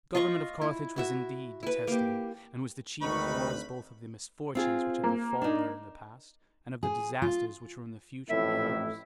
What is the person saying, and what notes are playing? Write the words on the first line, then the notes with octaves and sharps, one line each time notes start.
The government of Carthage was indeed detestable, and was the chief cause both of the misfortunes which had befallen her in the past, and of the disasters which were in the future to be hers.
F4 D#5 A#5 C#6
E4
E4 F#4 E5
E4 B4
A#3 G4
G#1 D2 D#3 G3 D#4 B4 B5 C#6
C4 F4 G#4
A#3
D4 D#4
G#4
F4
A1 F2 A2 E4 E5